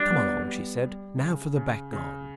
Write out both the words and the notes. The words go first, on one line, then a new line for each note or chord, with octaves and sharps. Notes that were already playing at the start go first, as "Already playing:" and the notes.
"Come along," she said; "now for the back garden."
Already playing: G3 D4
B3
G3
G3
C#3
C#3
C#3